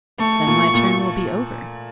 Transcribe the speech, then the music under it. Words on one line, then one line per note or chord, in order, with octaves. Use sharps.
Then my turn will be over.
A3 C#6
A#2
A#2